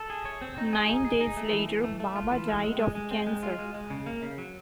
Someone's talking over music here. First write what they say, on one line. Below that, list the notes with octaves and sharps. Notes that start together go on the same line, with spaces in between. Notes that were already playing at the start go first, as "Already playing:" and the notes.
Nine days later, Baba died of cancer.
Already playing: A4
G#4
C#5
C4
D#4
G#4
D#4
G#4
D#4
A3
E3
E3
A3
A3
F4
E3
A3
G#3
G#3
G#3
C4
G#3
F4
G#3
G#3
C#3
A#3
C#3
F#3